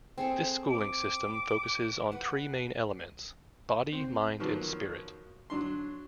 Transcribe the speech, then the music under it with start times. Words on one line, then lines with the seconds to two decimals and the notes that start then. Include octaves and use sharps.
This schooling system focuses on three main elements: body, mind and spirit.
0.18 C4 G#4 A4
0.69 D6
2.12 B4 F#5
3.92 C4
4.40 D#3 F3 F#3 A#3 B3
5.50 F#3 D4 C6